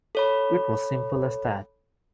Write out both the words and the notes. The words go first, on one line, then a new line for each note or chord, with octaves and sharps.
It was simple as that.
A4 C#5 B5